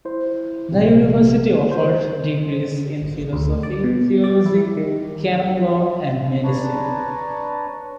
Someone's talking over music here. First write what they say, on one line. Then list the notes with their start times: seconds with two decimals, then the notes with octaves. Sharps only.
The university offered degrees in Philosophy, Theology, Canon law and Medicine.
0.05 E4 C5
0.72 A#1 C3
1.72 C5
3.33 D2
3.63 D5
3.84 B2
4.24 D5
4.46 E4
4.77 D#3
6.44 D4 B4 C#5 A5 A#5